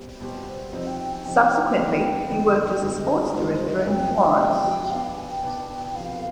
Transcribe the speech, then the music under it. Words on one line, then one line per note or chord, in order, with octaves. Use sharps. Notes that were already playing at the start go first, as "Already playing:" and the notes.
Subsequently he worked as a sports director in Florence.
Already playing: B2 G3 C4 G4
B2 G3 C4 G4 C5
C5
C3 F3 C4 D#4 D#5
G5
G5
G#5
C3 F3 C4 D#4 G5
F2 D3 G#3 B3 D#4 G5
F2 D3 G#3 B3 D#4
G2 D3 G#3 B3 D#4
D#5
G#4
G2 D3 G#3 B3 D#4 F4
C5
D#5
F2 C3 F3 G#3 G5 G#5
G#5
G5
F2 C3 F3 G#3 G5
B2 B3 D4 F5
G5
G#5
G5
B2 B3 D4
C3 F3 B3 F5